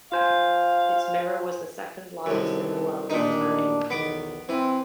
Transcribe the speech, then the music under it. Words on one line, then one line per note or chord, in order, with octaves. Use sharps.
Its mirror was the second largest in the world at the time.
F4 C5 F5 G#5
C2 F#2 D#3 A4
A1 A#2 D#3 D4 D#4
B1 E2 D#3 B3 D6
E3 C4